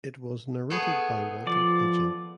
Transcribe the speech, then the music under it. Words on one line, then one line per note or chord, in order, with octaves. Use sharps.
It was narrated by Walter Pidgeon.
A3 B3 G#4
F3 D5